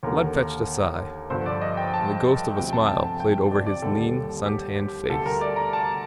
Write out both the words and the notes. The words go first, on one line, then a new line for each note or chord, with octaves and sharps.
Blood fetched a sigh, and the ghost of a smile played over his lean, sun-tanned face.
D#2 D3 A3 A#4
G2 D3 F3 C5
D5
D#5
G5
A5
D2 C3 F3 A3 G5
A5
A5
A5
G5
D5
D5
D#2 D3 G3 A4
G4
D2 D3 G3 A4
A#4
D5
A#5
A5